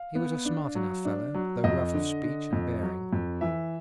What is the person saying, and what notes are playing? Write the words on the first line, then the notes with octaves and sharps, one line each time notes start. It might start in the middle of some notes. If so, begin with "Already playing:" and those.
He was a smart enough fellow, though rough of speech and bearing.
Already playing: F5
B3
D4
F#3
D4
F#3
F2 D#5
D3
D3
F2
F#3
F2
E3 E5